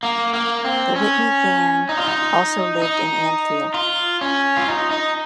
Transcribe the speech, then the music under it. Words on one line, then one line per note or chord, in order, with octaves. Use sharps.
The Whitney gang also lived in Anfield.
A#3
A#3
C4
C#4
D#4
F4
D#4
D#4
F4
C#4
F4
D#4
D#4